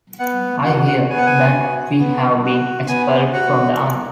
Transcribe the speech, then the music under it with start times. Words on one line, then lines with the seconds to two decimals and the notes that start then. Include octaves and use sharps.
I hear that we have been expelled from the army.
0.19 B3 F#5
0.64 F#4 F#5
0.87 F#5
1.10 B3 G#5
1.18 F#5
1.26 G#5
1.54 F#4
1.99 B3
2.44 F#4
2.88 B3 G#5
3.33 F#4 F#5
3.78 A#3